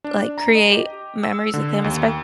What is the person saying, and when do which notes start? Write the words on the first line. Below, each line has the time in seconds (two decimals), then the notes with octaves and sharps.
like create memories with him, espe
0.04 D4
0.38 A#5
0.55 D#5
0.72 G4
1.23 E6
1.54 D3
1.84 D#2